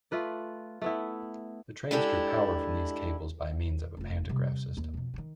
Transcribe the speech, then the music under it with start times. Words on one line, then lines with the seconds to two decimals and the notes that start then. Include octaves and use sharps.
The trains drew power from these cables by means of a pantograph system.
0.11 A3 F4 B4 D5
0.82 A3 B3 E4
1.91 G#3 D4 E4 G4 A4
3.97 F1 F4
4.29 C3 G3
4.77 D#2
4.94 F2 B2
5.14 D3 D#3